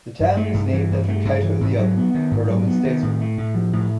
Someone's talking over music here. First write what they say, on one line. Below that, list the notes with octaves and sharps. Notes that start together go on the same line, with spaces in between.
The town is named after Cato the Elder, a Roman statesman.
G2
A3
G2
E3
G2
A3
G2
E3
G#2
F#3
B3
D#3
G#2
F#3
B3
D#3
A2
A3
A2
F3
A2